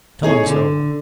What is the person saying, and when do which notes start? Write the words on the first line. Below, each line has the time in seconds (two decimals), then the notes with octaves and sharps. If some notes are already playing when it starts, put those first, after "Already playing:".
Tell him so.
0.23 D#4 G#4 C#5
0.46 D3